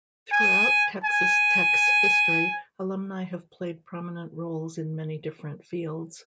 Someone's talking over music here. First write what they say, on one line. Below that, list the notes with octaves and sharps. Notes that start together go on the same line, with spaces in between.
Throughout Texas Tech's history, alumni have played prominent roles in many different fields.
G#5
G#5